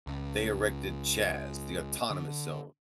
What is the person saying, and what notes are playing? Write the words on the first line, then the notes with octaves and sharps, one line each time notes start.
they erected CHAZ, the Autonomous Zone,
C#2
D3